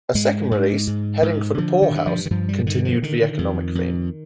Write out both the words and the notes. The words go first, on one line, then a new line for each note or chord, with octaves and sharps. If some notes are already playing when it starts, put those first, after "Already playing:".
A second release, "Heading for the Poorhouse", continued the economic theme.
G#2 G#3
G#2
G#2
G#2
D3 F3
D#3
G2
F3
D#3
G2 F3
G3
F3
D3 D#3
F3
D3 D#3
F2
F2